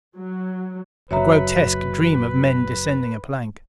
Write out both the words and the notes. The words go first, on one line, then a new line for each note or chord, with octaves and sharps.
A grotesque dream of men descending a plank.
F#3
F#1 F#3 B4 C#5 E5 A#5